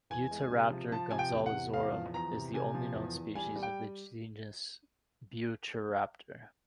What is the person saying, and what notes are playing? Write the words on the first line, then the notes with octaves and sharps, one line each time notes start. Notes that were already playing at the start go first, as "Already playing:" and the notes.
"Buitreraptor gonzalezorum" is the only known species of the genus "Buitreraptor".
E2 G#5
G#3
C3
F3
F3 A5
C3 G#5
G5
E2
F#5
C3
E2 F5
F3
E2 A#5
C3
C3 G#5
F3
E2
E2
G3 G#5
G3
G5